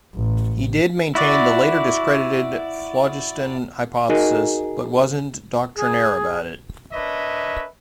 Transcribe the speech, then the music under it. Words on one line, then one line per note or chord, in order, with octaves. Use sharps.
He did maintain the later-discredited phlogiston hypothesis, but wasn't doctrinaire about it.
A1
E4 F#4 D5
D#4 F#4 G#4 A#4 D#5
G#4
D4 A#4 B4 C#5 D#5 E5